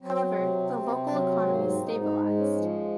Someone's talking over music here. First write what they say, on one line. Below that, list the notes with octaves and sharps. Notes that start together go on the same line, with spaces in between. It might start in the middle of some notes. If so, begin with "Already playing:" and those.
However, the local economy stabilized.
F#3 C4
C3
C3
F#3
G#2 A#3
C4
G#2 D#4
D#4
G#3
C#4
F3